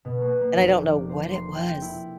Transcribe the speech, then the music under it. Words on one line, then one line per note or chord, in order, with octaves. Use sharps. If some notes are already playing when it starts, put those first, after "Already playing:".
and I don't know what it was
B2
A#3
A#3
F1
D5
C5
C6
G5
E4